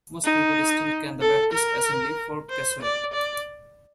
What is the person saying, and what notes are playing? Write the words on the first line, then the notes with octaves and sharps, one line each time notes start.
Most people still call the Baptist Assembly "Fort Caswell".
D#4
A4
A#4
C5
D5
D5